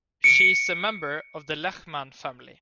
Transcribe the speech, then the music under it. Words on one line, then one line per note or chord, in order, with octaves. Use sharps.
She is a member of the Lehman family.
C#7 D7